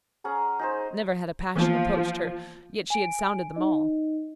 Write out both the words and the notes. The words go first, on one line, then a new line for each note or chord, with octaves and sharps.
Never had a passion approached her, yet she had sounded them all.
C#4 G#4 F#5 A#5
D#4 G#4 C5
E3 F3 A#3 B3
G#5 D7
D#4 D#5